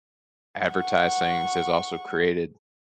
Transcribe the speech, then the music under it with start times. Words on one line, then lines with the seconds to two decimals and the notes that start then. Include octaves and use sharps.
advertisings has also created,
0.72 F#5 C#6